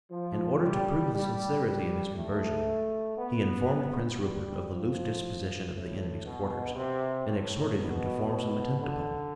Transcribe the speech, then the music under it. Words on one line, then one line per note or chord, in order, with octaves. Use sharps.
In order to prove the sincerity of his conversion, he informed Prince Rupert of the loose disposition of the enemy's quarters, and exhorted him to form some attempt upon them.
F3
G3
G3
G3
A3
B3
G3
F3
A2
B2
C3
A2
B2
D3